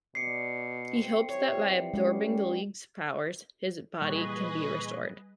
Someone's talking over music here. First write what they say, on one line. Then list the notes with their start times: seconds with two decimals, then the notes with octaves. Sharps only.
He hopes that by absorbing the League's powers, his body can be restored.
0.15 B2 D5 C7 C#7
0.95 C4
1.30 E3 G3 C#5
1.94 G3 G#3 B3 C#4 G4
4.01 A#2 D3 E3 G3 G#4 B4 D#5 C#6